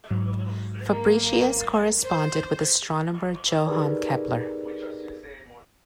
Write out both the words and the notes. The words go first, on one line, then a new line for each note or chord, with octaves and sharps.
Fabricius corresponded with astronomer Johannes Kepler.
G#2 F#3
A#3
C5
D#4 G4 G#4 A#4 B4 D5